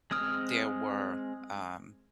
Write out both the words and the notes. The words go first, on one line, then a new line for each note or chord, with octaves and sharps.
there were, um,
G#3 C4 D#6 F6